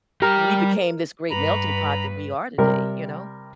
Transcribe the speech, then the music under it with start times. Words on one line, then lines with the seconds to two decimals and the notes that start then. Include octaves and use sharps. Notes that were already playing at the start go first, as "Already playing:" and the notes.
we became this great melting pot that we are today, you know?
0.22 G3 G4 A#4
1.31 G2 B4 A#5 B5
2.58 C3 G3 A#4